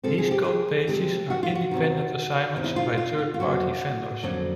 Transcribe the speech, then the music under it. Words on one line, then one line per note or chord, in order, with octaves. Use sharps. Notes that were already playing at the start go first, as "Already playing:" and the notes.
These code pages are independent assignments by third party vendors.
C3 F3 G#3 C4 A4
G#4
G4
G#4
C3 F3 G#3 C4 G4
F#4
F4
F#4
E2 C3 D#3
E2 C3 D#3
E4
F4
F4
F4
F4
F2 D3 F#3 A#3 C#4 F#4
F2 D3 F#3 A#3 C#4